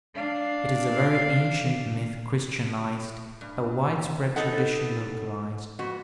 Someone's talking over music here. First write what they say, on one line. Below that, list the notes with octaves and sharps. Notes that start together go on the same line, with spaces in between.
It is a very ancient myth Christianized, a wide-spread tradition localized.
D4 F5
G2
B3 D#4 A4 F#5
F2 B3 F#4